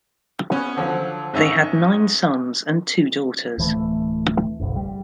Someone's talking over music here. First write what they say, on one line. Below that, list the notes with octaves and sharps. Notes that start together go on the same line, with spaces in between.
They had nine sons and two daughters.
B3 C#4
D3 F3 F#3
G#2 C#4 E5 C#6
D1 E3 A3
F#1 B1
G3